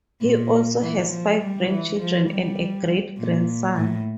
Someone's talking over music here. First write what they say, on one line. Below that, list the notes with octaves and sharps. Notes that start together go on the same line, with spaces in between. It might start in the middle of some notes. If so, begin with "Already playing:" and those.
He also has five grandchildren and a great-grandson.
A#2
E3
F3
G3
E3
F3
G3
A#2
A2